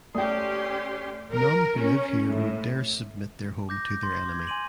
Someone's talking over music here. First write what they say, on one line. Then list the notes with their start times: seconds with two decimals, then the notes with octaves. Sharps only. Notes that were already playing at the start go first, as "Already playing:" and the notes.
None who live here would dare submit their home to their enemy.
0.15 A3 C#4 G4 D5 G5 C6 D#6
1.32 A#4
1.78 C#4
2.30 A2
3.69 D6 G6 A#6
4.03 C6
4.26 D6 G#6
4.47 G#5 C6 D#7 F#7